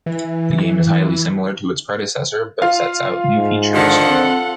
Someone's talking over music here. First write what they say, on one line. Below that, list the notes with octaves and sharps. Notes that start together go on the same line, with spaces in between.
The game is highly similar to its predecessor, but sets out new features.
E3
F4 F5
G#2
D3 D#3 F3 A4 F#5
C4